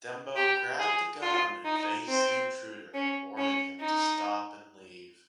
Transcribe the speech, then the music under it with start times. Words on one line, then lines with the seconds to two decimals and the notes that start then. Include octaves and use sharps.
Dembo grabbed a gun and faced the intruder, warning him to stop and leave.
0.36 G4
0.79 G#4
1.22 F4
1.65 D#4
2.08 C4
2.94 C#4
3.37 C#4
3.80 D#4